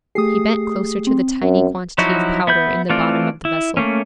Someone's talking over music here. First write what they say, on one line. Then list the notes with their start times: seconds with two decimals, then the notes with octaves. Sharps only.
He bent closer to the tiny quantity of powder in the bottom of the vessel.
0.15 A3 G4 G#4 D#6 C7
1.07 C4
1.42 F#2
1.98 F3 F#3 D#4 E4 F#4
2.47 B3 E5 B5 G6
2.90 E3 A3 C4 F4 D5
3.45 E4
3.77 A3 A#3 C#4